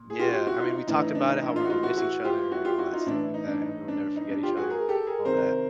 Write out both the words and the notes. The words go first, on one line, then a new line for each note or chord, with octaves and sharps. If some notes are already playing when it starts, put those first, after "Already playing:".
yeah, I mean, we talked about it, how we would miss each other and all that stuff like that, and we will never forget each other all that,
Already playing: A#2
G#4
F4 G4
F#4
F4 G4
E4 F#4
D#4 F4
D#4
A2 E3 D4 E4
D#4
D4
D#4
D4 E4
D#4 F4
F#4
D#4 F4
E4 F#4
E4 F#4
F4 G4
E4 F#4
F4 G4
E4 F#4
D#4 F4
A2 E3 D4 E4
D#4
D4
D#4
D4
D#4
D4
F4 G4
F#4 G#4
G#4 A#4
G4 A4
G#4 A#4
C3 D#3 A#4 C5